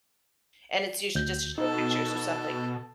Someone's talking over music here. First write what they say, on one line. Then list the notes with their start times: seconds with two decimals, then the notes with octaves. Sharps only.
and it's usually just to show pictures or something.
1.15 D2 G6
1.58 B2 D#4 A4